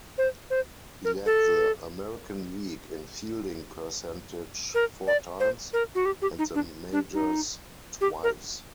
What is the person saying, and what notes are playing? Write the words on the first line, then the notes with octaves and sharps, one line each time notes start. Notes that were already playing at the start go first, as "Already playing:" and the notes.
He led the American League in fielding percentage four times, and the majors twice.
C5
C5
A#4
A4
A#4
D5
C5
A#4
F#4
G4
G4
D#4
D4
D4
D#4
G4
A#4